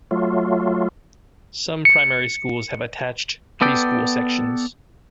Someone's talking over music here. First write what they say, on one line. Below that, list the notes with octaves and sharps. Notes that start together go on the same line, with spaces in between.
Some primary schools have attached preschool sections.
F#3 A3 F4
C#7
B3 A4 D5 G5